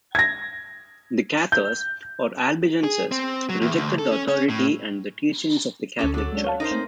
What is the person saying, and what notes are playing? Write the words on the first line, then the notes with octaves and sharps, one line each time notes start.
The Cathars or Albigenses rejected the authority and the teachings of the Catholic Church.
G#6 A#6
G6
G#4
C4
F#3
E2
D2
A4
C#4
C#4
A2
D2 C#4 A4 D6
F#3 A4
G#3 C#4 D4
C#5 F5 A5
D#4 A#4 C5
A3 A#3 C4